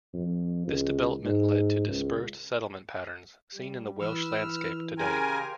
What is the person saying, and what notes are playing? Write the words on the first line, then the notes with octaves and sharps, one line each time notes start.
This development led to dispersed settlement patterns seen in the Welsh landscape today.
F2
C#2
G#2
C#2
G3
E3 B4 E6 F6
C#3 G4 A#4 C5 G#5